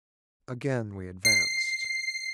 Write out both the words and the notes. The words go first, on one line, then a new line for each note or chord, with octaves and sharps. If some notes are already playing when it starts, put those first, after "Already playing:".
Again we advanced.
C7